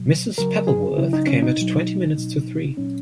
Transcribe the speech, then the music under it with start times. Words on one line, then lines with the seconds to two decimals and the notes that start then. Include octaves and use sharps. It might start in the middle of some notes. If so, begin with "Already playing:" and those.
Mr. Pappleworth came at twenty minutes to three.
Already playing: B2 F#3
0.38 C#3 F#3 A#4
0.67 G#4
0.97 C#3 F#3 E4
1.13 D#4
1.27 C#4
1.42 D#4
1.58 B2 F#3
2.17 B2 F#3
2.77 A#2 F#3 C#4